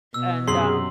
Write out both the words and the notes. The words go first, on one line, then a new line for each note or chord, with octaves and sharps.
and, um
B2 E6
F#2 C3 G#4 C6 C7 F#7